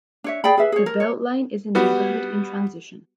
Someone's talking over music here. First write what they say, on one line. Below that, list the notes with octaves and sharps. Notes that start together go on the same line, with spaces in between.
The Beltline is a neighbourhood in transition.
D4 C#5 E5
G#4 D5 G5 B5
G#4 B4 E5
G#4 C#5
A#4
C#5
G3 B3 F#4